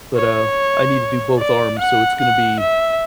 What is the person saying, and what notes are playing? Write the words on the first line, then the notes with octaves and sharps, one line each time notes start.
But, uh, I need to do both arms, so it's gonna be
C#5
D5
F#5
F#5
E5